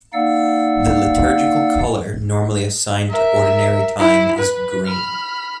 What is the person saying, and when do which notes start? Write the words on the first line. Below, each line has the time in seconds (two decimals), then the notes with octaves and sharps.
The liturgical color normally assigned to Ordinary Time is green.
0.13 A#3 D#4 D5 F5 F#5 E6
3.10 A#4 E5
3.99 E4
4.38 B4
4.86 B5 F6